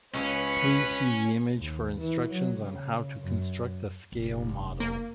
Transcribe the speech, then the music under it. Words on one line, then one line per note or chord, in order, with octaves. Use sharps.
Please see the image for instructions on how to construct a scale model.
C#2 C#4 B4
D#2
E3
F#3
C#3
F#2
F1
A#3